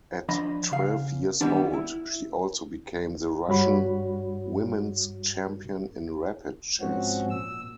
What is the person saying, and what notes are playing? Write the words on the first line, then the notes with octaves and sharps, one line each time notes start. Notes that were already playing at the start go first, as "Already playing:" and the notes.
At twelve years old she also became the Russian women's champion in rapid chess.
F3 D4 D#5 B5
C#3 F5
D#3 E3 G3 B3 D4
E4
G2 G3 F#4 C#5 B5
G#2 F3 C4 C#4 F#4
A#2 E6